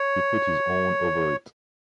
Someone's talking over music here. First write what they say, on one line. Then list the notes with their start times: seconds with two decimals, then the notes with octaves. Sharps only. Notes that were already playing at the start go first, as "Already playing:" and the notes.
He put his own over it.
Already playing: C#5